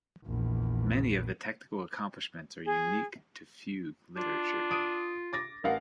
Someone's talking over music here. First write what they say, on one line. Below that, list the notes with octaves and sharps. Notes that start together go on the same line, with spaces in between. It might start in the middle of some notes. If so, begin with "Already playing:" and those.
Many of the technical accomplishments are unique to fugue literature.
A#1 E2
G#4
D4 F4
D#6 D7 D#7
D6 A6 A#6
A1 A#4 F5 F#5